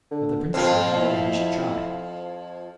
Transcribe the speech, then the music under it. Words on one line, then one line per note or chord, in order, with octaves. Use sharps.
But the princess would have it that he should try.
D3
F2 F3 C4
E4